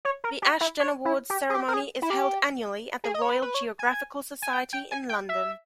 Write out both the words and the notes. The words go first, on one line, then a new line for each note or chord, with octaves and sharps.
The Ashden Awards ceremony is held annually at the Royal Geographical Society in London.
C#5
A#4
G4
E4
C#5
E4
G4
G#4
G4
A#4
G#4
E4
G4
G#4
D#5
C#5
B4
B4
C#5
G#5
G#5
G5
G5
G#5
G5
E5